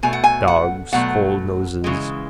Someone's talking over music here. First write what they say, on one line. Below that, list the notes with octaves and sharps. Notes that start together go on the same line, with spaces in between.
Dogs' cold noses.
B2 A3 G#5
F#5
G#5
F#5
B2 F#3 A3 F#5
C#3 E3 G#3